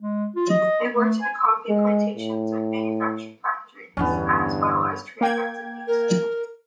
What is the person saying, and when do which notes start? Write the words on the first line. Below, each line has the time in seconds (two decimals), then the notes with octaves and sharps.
They worked in coffee plantations and in manufacturing factories, as well as trading activities.
0.01 G#3
0.36 F4
0.50 D#5
0.94 A3
1.22 G#5
1.69 G#3
2.17 A2
3.97 E2 G2 D3 B3 C#4
5.21 A#3 G5 G#6
5.87 A#4